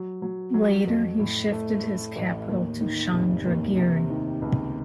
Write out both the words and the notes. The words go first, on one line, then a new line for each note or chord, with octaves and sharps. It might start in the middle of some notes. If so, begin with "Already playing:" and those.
Later he shifted his capital to Chandragiri.
Already playing: F#3
F#3
F#3
F2
A2
A3
A3
A1
D#2
D#3
F1
D#2
C3
D#3
C#2